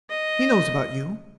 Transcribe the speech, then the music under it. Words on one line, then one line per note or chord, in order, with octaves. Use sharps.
He knows about you.
D#5